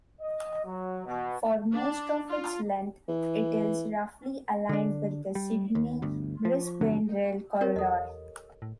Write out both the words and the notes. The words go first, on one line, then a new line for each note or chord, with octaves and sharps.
For most of its length it is roughly aligned with the Sydney-Brisbane rail corridor.
D#5
F#3
B2
D4
F4
E3
D3 D4
G3
D#2
G1 D2
F3
G1 F2 D3 F#3
C4 G4 A#4 C#5
E2 A4 D#5
A2